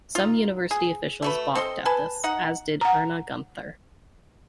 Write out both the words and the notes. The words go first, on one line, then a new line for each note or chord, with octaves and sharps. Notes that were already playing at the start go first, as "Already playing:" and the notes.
Some University officials balked at this, as did Erna Gunther.
D#4 F4
G#4
A3 F#4 B4
C4 A4 D#5 C6
B4 G#5 A5
D#4 F#5
F#5 A#5